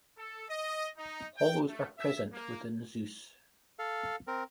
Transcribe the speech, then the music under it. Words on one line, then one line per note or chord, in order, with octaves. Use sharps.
Hollows are present within Seuss.
A4
D#5
D#4
G5
A3
E5
A#3
A4 F5
C4 A#4